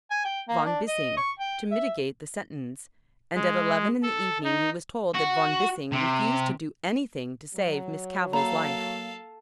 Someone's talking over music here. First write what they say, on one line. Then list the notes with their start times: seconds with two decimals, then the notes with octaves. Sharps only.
Von Bissing to mitigate the sentence, and at eleven in the evening he was told that Von Bissing refused to do anything to save Miss Cavell's life.
0.11 G#5
0.25 G5
0.48 A#3
0.66 D4
0.88 D#5
1.17 C#6
1.40 G5
1.71 E5
3.35 G#3
4.03 A4
4.44 D#4
5.15 F#4
5.92 C3
7.55 F#3
8.33 A#3 A4 F5 A#5